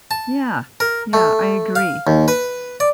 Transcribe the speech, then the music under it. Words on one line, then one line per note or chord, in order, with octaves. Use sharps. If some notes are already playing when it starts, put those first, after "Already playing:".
Yeah. Yeah, I agree.
A5
A#4
A3
F5
D#2
B4
D5